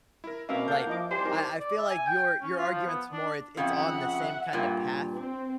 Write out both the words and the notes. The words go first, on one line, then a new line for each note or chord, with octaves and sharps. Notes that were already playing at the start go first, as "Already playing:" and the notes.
Like, I I feel like your your argument's more it it's on the same kinda path,
E4 A#4
B2 A#3 C4 C#4 E5 F5
A4 F5 F#5 G6
F3 E4 D#5 D6
C2 G4 C5 D5 G#5
D#4 G4 A#4
D5
E5
G#5
G5
C#4
F4
F3
B3
D4
F2 C#3 E5 F#5
G2 A#2
C4